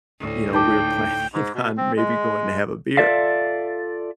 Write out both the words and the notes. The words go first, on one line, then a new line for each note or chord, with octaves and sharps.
you know, we're planning on maybe going to have a beer.
D2 A2
D#4 G5 A5 D6
G#2
B2
C4
G#3
F4 A4 D5 E5 F5